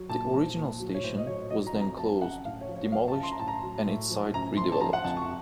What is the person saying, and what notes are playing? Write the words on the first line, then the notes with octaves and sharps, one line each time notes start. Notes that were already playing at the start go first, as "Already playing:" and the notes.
The original station was then closed, demolished and its site redeveloped.
Already playing: F#3
A#2 A5
F3
A#2
F#3
C#5
A2 C5
D#5
F#3 C#5
F#3 D#5
A#5
F2
A#5
F#3 A5
F#2 F#5
A2 F5
C#5
F3
C#5
F#3 F5
A5
F#2
C6
A#5
A2 A5
A#5
F#3
A2
F3
F#2 A#5
F3 C6
A5
F3 A#5
F#5
F2 A5
C#6